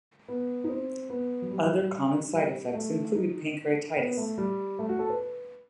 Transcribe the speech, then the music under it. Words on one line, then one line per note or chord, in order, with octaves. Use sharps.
Other common side effects include pancreatitis.
B3
D#4
C4
B3
F#3
G3
F#3
G3
G3
G3
A3
D#4
B3
A3
G3
A3
F#4
A4
B4